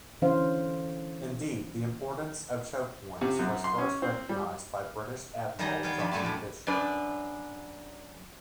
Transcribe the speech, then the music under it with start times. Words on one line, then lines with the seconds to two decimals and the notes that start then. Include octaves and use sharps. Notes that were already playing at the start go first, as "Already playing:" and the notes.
Indeed, the importance of choke points was first recognised by British Admiral John Fisher.
0.22 D3 E3 C#4 C5 F5
3.21 C3
3.39 F#2
3.64 C6
3.78 C#4
4.02 C4
4.29 G3
5.59 D#3 G3 G#4 D#5 A#5
5.83 B3 C#5 F5 G5
5.99 F3 D4 B5
6.11 F#2 G3 A3 A4 G#5 A5
6.23 A2 F#3 D4
6.67 F#2 D4 B4